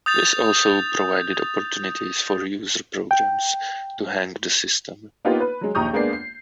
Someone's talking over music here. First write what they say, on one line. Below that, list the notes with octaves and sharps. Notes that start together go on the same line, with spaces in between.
This also provided opportunities for user programs to hang the system.
D#6 G6 A6 F7
G5
A#3 B3 D#4 F4 G4
B4
F#3 G#3
A#1 D#2 A#5 C#6 D#6 G6
G#3 A#3 B3 D4 C7
C7